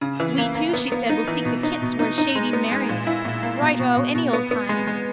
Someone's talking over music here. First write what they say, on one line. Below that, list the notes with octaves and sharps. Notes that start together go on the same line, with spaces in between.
We two, she said, will seek the kips where shady Mary is. Righto, any old time.
C#3
E3
A#3
A#3
B3
B3
D#4
E3
B2
D#4
B2
D#4
D#4
G#3
B3
G#3
A#2
E4
A#2
A#3
B2
B2
B2
B2
B3
B3
G#3
G#3